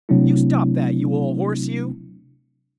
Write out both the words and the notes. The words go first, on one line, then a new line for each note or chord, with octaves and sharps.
"You stop that, you ole horse, you!"
C3 F#3 A3 C4 D4 E4